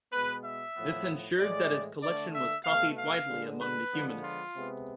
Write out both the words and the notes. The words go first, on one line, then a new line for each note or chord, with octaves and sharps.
This ensured that his collection was copied widely among the humanists.
B2 G#3 B3 B4
E5
A2 F3 B3
A2 E3 G#3 D5
D3 A3 D5
E5
B2 A3 F5
F5
D3 G#3 B3
B4
D3 F3 G#3 B3
F4
C3 G#3 B3